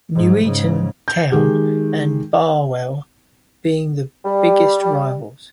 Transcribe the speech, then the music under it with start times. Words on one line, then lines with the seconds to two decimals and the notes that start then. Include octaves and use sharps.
Nuneaton Town and Barwell being the biggest rivals.
0.15 G#2 F3
0.45 G#2 C#3
1.08 G6
1.32 D#3 G#3 G4
4.25 G3